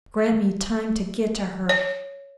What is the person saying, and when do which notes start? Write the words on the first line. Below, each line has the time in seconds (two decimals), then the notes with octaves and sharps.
Grant me time to get to her....
1.69 C#5